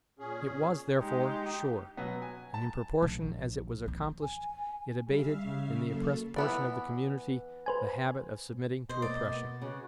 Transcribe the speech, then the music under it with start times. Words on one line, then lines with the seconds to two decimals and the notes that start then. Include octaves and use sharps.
It was, therefore, sure; and, in proportion as it was accomplished, it abated, in the oppressed portion of the community, the habit of submitting to oppression.
0.19 A#2 C#4 G#4
0.99 G#3 D#4 G4
1.97 B2 F#3 B3
2.22 G#5
2.54 A5
3.02 A#1
3.86 A1 E2
4.22 G#5
5.07 G3 E5 F5
5.44 C#3
5.85 F#3 A#3 A4
6.36 E3 B3 D5
7.66 B4 C5 G#5
8.89 B2 C5 D#5
9.02 A#3 D5
9.32 B3
9.62 C#3 F#4